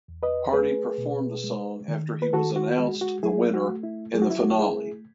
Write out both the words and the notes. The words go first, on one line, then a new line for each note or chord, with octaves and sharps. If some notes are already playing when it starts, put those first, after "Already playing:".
Hardy performed the song after he was announced the winner in the finale.
E2
B4 D#5
A3 G#4 B4
B2
G#3
D#3
B4
D#3 F#4 A4
F#4
G#3 F#4
F#4
F#3 E4 G#4
F#4
A3
E4
F#3 G#4
F#4
E4
F#4
A3 E4 G#4